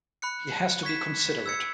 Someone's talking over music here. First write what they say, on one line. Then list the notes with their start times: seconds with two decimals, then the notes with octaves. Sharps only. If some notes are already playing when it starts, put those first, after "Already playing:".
He has to be considerate.
0.22 B5 F#6 C#7
0.83 C#6 G#6 B6 E7
1.46 E6 G#6 C#7